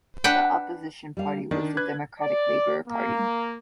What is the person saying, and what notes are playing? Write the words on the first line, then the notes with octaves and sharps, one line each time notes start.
The Opposition party was the Democratic Labour Party.
D4 B4 F#5 G5
G3 F5
D#3 D4
B4 F#6 G#6
D5
A#3